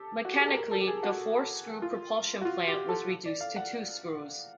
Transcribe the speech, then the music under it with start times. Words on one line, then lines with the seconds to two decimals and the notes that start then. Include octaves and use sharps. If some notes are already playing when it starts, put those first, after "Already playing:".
Mechanically, the four screw propulsion plant was reduced to two screws.
Already playing: G4 A4
0.25 F#4
0.32 G4
0.40 G#4
0.47 A4
0.55 A#4
0.66 A#4
0.71 A4
0.80 G4
0.88 G#4
1.03 F#4
1.82 F4
2.41 F#4
2.45 F4
2.67 G4
2.89 A4
3.25 D5
3.40 F5
3.56 F#5